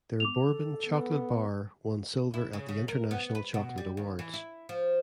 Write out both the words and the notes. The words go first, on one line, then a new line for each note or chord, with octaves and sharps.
Their bourbon chocolate bar won silver at The International Chocolate Awards.
B3 D6 F7
A4
B3
E4
C#3
C#3
A#4
B3
B4
B2
G3
D#2
E3
E4
F3